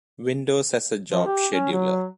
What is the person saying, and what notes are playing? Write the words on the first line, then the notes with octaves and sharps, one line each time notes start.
Windows has a job scheduler.
F3
G4
C#4
F#3